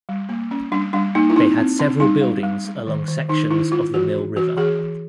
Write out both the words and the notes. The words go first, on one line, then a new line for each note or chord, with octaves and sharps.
They had several buildings along sections of the Mill River.
G3
A#3
C#4
G3 D4
G3 D4
A#3 D#4
E4
C4 D#4
C4
C4 D4
G3 D#4
G3
G3
G#3
D#3
D#3
D#3 D#4
D#3 E4
G#3 F4
E3 F#4
D4
E3 F#4
E3 G#4
E3